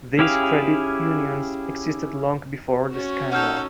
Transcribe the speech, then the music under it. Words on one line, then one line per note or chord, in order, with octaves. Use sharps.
These credit unions existed long before the scandal.
C#4 E4 G4 G#4 F5
C#4 F#4
D#4 A4 F#5 F6 G6